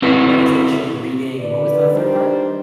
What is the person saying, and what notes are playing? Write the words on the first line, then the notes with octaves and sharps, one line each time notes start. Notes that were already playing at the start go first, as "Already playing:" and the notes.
meditation, reading, and what was the third part?
C4 E4 F#4 A4 B4
D3 B4 D5
D#3 G3 D4 C5